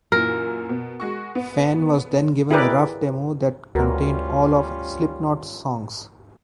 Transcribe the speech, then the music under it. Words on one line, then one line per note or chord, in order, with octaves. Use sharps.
Fehn was then given a rough demo that contained all of Slipknot's songs.
F#2 A#2 E3 A#4
B2
G#3 F#4 C#6
B3
E4 G4 G#4 A#4 B4 D5
D2 G3 C#4 F4 F#4 A#4 B4